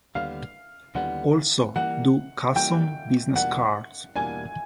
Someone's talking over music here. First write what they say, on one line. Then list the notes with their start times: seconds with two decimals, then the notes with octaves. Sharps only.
Also do custom business cards.
0.15 D#2 D3 G3 B3 F5
0.95 D#2 D3 G3 B3 F#5
1.76 E3 G3 A#3 F#5
2.56 E3 G3 A#3 G5
3.36 E2 B2 G3 A#3 D4 F#5
4.16 E2 B2 G3 A#3 D4 G#5